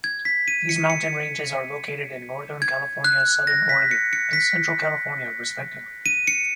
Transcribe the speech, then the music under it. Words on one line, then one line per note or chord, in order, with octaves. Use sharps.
These mountain ranges are located in northern California-southern Oregon, and central California respectively.
G#6
B6
D#7
C#7
C#7
G#6
F#6
A#6
B6
C#7
C#7
B6
D#7
C#7